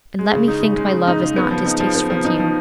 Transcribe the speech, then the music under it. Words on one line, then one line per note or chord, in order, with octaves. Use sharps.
And let me think my love is not distasteful to you.
G#3
C#3
D#4
C#3
G#3
C#3
D#4
C#3
B3
F3
D#4
F3
B3
F3
D#4
F3